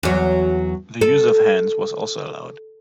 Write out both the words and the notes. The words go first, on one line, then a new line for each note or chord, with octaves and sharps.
The use of hands was also allowed.
E2 F#3
A4